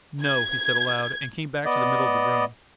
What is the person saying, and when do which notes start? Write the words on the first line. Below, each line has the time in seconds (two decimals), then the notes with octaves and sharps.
"No," he said aloud, and came back to the middle of the room.
0.23 G#6
1.65 B3 D5 D#5